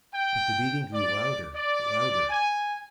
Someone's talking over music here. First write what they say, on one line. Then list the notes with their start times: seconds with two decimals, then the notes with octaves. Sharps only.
But the beating grew louder, louder!
0.14 G5
0.93 D5
1.55 D5
2.29 G#5